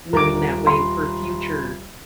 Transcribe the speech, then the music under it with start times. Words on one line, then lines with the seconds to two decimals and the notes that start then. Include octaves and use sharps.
knowing that way for future
0.13 D#1 A#4 A#5 D6 D7
0.67 B5 C6